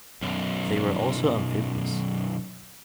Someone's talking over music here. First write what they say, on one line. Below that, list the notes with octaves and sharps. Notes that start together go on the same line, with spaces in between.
They were also amphibious.
B1 F#2